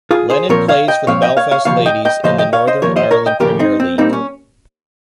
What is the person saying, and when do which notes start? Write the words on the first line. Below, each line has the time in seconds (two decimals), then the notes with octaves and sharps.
Lennon plays for Belfast Ladies in the Northern Ireland Premier League.
0.11 F4 G#4
0.30 G#4 C5
0.49 A#2 F3 C4 A#4 C#5
0.68 C#5 F5
0.88 D#5 G5
1.07 A#2 F3 C4 C#5 F5
1.22 D#5 G5
1.37 C#5 F5
1.51 C#5 F5
1.65 D#2 C#3 F3 C#5 F5
1.86 D#5 G5
2.05 D#5 G5
2.23 D#2 C#3 F3 C5 D#5
2.38 D#5 G5
2.53 C#5 F5
2.68 C5 D#5
2.82 D#2 C#3 F3 A#4 C#5
2.96 C5 D#5
3.11 A#4 C#5
3.26 D#5 G5
3.40 D#2 C#3 F3 G4 A#4
3.59 C4 D#4
3.80 C4
3.98 A#2 G3 A#3 C4 D#4
4.13 C#4